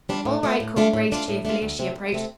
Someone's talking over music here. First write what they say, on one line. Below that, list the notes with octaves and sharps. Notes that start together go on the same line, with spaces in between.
"All right," called Grace cheerfully as she approached.
G3 D4 F4
A2
A3 D4 F4
A2
A3 D4 F4
A2
A3 D4 F4
A2
A3 D4 F4
D2
C3 A3 C4
D2
C3 A3 C4